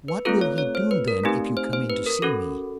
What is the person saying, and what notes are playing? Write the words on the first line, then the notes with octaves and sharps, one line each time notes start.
"What will he do, then, if you come in to see me?"
B4
A3 C4 F4 A4 B4
C#5
C#5
C5
B4
A#4
A3 C4 D#4 G4
C5
C5
B4
A#4
C#4 F#4 A4